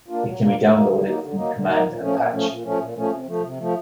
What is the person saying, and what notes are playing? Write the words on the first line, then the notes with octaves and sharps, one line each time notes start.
It can be downloaded from Command and Patch.
A#3 D4 F4
F#3
A#3 D4 F4
D3
F#3 A#3 D#4
D3
F#3 A#3 D#4
D3
F#3 A#3 D#4
D3
F#3 A#3 D#4
A#2
F3 A3 C#4
A#2
F3 A3 C#4
A#2
F3 A3 C#4
A#2
F3 A3 C#4
C3
F3 A3
C3
F3 A3